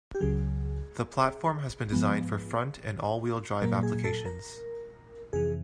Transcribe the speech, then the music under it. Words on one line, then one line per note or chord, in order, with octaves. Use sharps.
The platform has been designed for front and all-wheel drive applications.
G4
C#2 C#3 F#3 G#4
G#2 F3 G#3 B3
A#2 F#3 A#3 A#4
G#4
A4
A#4
F2 C3 E3 G#4